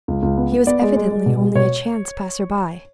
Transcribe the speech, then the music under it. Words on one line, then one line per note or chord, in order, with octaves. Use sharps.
He was evidently only a chance passer-by.
C#2
C#2
B3
B3
B3 D5
G#3
G#3
G#3
B2
G#3
B2 C#5